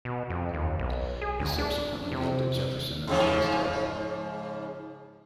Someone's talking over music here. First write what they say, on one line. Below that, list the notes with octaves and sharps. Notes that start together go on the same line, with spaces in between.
He subsequently lived at Jefferson until his death.
B2
F2
D#2
B1
G#4
D2
D4
C3
G#2 C#3 F3